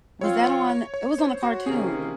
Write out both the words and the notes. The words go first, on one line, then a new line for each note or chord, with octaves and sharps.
Was that on it was on a cartoon.
F3 C4 F4 C#5
C#5
C#5
C#5
C5
F#4
C3 D#3 A#3 C#4 G#4